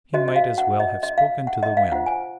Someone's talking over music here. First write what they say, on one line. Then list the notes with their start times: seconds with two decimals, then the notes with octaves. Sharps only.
He might as well have spoken to the wind.
0.14 F#4 C5 D#5
0.28 D#5
0.36 F5
0.58 F#5
0.80 D#5
1.03 D#5
1.18 F5
1.47 F#5
1.63 D#5
1.77 F5
1.92 F4 C5 F#5
2.06 G#5